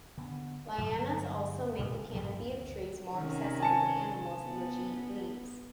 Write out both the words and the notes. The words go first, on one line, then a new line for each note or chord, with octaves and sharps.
Lianas also make the canopy of trees more accessible to animals which eat leaves.
D3 B3
G2 D3 F#3 G3
A1 A#2 C#3 G3
A1 G2 C3 F#3
D2
C3 D#3 C#4
G#5 A5 C#7
B3